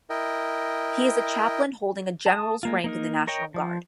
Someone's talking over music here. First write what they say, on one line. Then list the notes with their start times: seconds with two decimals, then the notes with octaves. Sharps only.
He is a chaplain holding a general's rank in the National Guard.
0.10 E4 A#4 D#5 G5
2.26 A5 D#6
2.63 G#3 A#3 F4
2.84 A#3 D#4 A#4
3.27 A#4 C#5 D#5 G5
3.54 F3